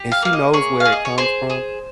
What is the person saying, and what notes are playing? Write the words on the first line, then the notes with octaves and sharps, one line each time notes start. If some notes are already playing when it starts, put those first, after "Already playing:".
and she knows where it comes from,
Already playing: G4
F5
A#3 F5
D#5
G#4 C#5
F5
G#4
D#5
C#5
G#4 C5
G#4